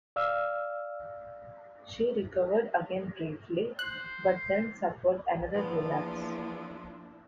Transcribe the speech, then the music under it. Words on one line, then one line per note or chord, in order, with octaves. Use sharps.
She recovered again briefly, but then suffered another relapse.
D5 F5 E6 F6
C5 F#6
E2 F3 A#3 B3 D4 E4 B4 C5